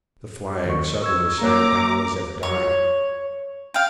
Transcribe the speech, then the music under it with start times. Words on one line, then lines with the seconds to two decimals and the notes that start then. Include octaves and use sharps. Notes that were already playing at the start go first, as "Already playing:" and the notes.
The flag suddenly sank down as if dying.
0.66 D#2 C#6
1.02 C#6 E6 G#6
1.41 A#3 C#5 A#5 D6 E6
2.43 C#5
3.74 F5 G5